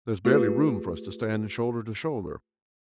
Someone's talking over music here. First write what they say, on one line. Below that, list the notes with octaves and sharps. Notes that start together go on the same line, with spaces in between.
There was barely room for us to stand, shoulder to shoulder.
A3 F4 G4 G#4 B4